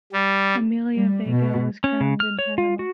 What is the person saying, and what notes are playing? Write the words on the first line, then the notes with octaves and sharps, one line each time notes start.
Amelia Vega was crowned in Panama.
G3
G3
B2
C#4
C#3
F6
C#5
F4
F#4